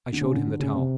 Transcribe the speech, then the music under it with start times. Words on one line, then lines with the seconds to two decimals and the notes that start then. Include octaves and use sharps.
I showed him the towel.
0.13 D3
0.21 C#3
0.34 D3
0.47 D3
0.60 C#3
0.74 C3